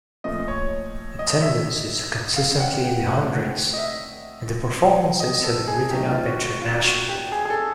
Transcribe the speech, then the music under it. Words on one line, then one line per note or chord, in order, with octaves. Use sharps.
Attendance is consistently in the hundreds, and the performances have been written up internationally.
A#2 F3 A3 D#5
C#5
D#5
E5
F5
G5
F#5
G5
E3 A3 C4 F#5
D#5
E5
D#5
A4
G#4
D#3 F#3 A3 D4 G4
F4
F#4
F#4
F4
F#4
G4
G#4
G#4
A4